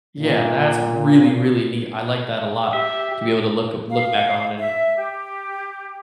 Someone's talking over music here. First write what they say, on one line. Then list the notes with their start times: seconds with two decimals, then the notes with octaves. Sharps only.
Yeah. That's really, really neat, I like that a lot, to be able to look up look back on and
0.19 A#2
2.73 G4 E5
3.90 F5
4.58 E5
4.96 G4